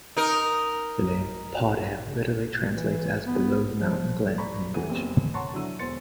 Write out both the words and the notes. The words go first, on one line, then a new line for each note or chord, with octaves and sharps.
The name Podhale literally translates as "below the mountain glen" in English.
D#4 A#4
E3
B3
F3
D5 A#5 B5 C#6
E3 F#5 D#7
F#1 D#2 B3 C4 G4
C#5 F#5 A5 A#5 C6 C#6
D3 F#3 E4 E6 D#7
E1 E2 C5 C6 A6 C#7